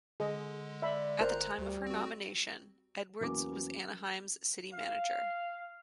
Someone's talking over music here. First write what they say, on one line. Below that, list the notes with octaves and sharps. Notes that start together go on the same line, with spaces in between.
At the time of her nomination, Edwards was Anaheim's City Manager.
D3 G#3 G#4 D#5
D5 E5 B5
G1 A#4 C5 A#5 F#6
D2 G3
C4 F#4
E2 F#3 A#3 B3 C#4 D6
F5